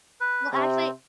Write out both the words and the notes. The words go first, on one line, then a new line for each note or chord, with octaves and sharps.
Well, actually
B4
C3 C4